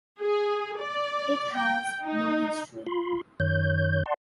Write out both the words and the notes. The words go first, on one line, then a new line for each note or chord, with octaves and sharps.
It has no history.
G#4
D5
G5
D#4
F4 B5 C6
F#2 D#3 C#5 G6
D5 F#5 A5 C6